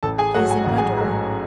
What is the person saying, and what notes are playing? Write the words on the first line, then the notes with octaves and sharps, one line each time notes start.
He is a murderer.
A1 A4 A5
G#4 G#5
G#2 F#3 A3 F#4 F#5
G#5
A1 F#5
G#4 G#5
G#2 F#3 A3